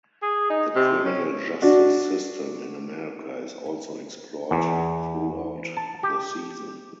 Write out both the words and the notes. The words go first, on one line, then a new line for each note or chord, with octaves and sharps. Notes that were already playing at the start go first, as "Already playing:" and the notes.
The criminal justice system in America is also explored throughout the season.
G#4
D#4
C3
C#4
D4 F#4
E2
A5
G4